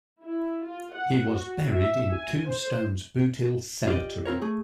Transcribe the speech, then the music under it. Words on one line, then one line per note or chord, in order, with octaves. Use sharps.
He was buried in Tombstone's Boothill Cemetery.
E4
F4
F#5
F#4
E5
G#5
C5
F4 G4 A#4 D5 D#5
C4 F4 A#4 C#5
A3 G#4